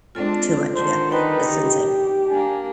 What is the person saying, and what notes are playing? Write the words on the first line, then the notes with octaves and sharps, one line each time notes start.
Too much, yeah, that's insane.
G#3 C4 D4 F4 A4
D3 D#3 C5
D#4 B4 G5
G4
A#3 D4 G#5